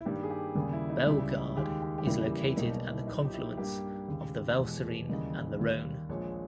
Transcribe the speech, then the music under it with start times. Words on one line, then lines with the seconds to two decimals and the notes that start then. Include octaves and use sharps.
Bellegarde is located at the confluence of the Valserine and the Rhone.
0.01 E4
0.05 G2 D#3 G3 A#3 G4
0.23 G#4
0.30 G4
0.55 D#2 C#3 G3 A#3 G#4
0.73 E4
0.89 D#4
1.06 C#2 C#3 G3 E4
1.56 D#2 D#3 G#3 G4
1.82 G4
1.98 G4
2.07 E2 C#3 E3 G3 A#3 E4
2.24 G4
2.40 E4
2.57 B1 B2 G3 A#3 D#4
2.74 D#4
2.91 E4
3.07 B1 A#2 A#3 D#4
3.25 G4
3.33 E4
3.57 G2 G3 A#3 G4
4.08 D#2 C#3 G#3
4.59 E1 E2 B2 G#3
5.09 D#2 C#3 E3 G3 A#3 D#5
5.59 D#2 D#3 G3
6.09 A#1 A#2 G#3 C#5